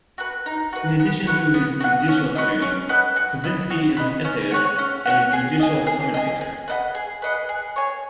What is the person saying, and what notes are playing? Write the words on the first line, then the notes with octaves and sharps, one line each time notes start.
In addition to his judicial duties, Kozinski is an essayist and a judicial commentator.
F#4 B4
D#4
F#4 B4
B3
F#4 B4 F#5
B3
F#4 B4 F#5
C#4
F#4 B4 D#5
C#4
F#4 B4 D#5
F#4
B4 D#5
F#4
B4 D#5
C#4
F#4 C#5 F#5
C#4
F#4 C#5 F#5
G#4
D#5 G#5
G#4
D#5 G#5
G#4
B4 D#5 F#5
G#4
B4 D#5 F#5
G#4
C#5 G#5